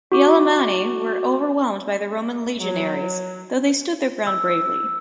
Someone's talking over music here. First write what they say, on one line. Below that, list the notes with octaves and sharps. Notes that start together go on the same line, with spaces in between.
The Alemanni were overwhelmed by the Roman legionaries, though they stood their ground bravely.
F#4 D6
F#3
E6